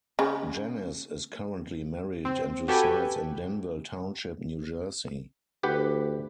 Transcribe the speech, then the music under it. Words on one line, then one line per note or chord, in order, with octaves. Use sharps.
Janice is currently married and resides in Denville Township, New Jersey.
C#3
C4
F#4 G4 A4 B4 G5 G#5
D2 G4 B4 F#5